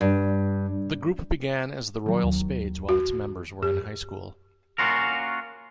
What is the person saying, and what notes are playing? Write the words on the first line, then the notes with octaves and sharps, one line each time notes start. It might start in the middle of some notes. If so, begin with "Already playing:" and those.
The group began as The Royal Spades while its members were in high school.
G2
D#3 F#3
D#2
F#4
F#2 G4
A#3 C#4 F4 F#4 A#4